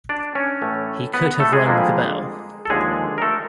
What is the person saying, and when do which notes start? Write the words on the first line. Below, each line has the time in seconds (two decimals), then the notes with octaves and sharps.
He could have rung the bell.
0.09 D4 D5
0.35 C#4 C#5
0.62 A2 E3 A3
1.13 B3 B4
1.40 A3 A4
1.53 G#3 G#4
1.66 F2 D3 G3 A#3
2.65 A4
2.70 D#2 D3 F3 G#3 G#4
3.18 A#4
3.22 A3 A4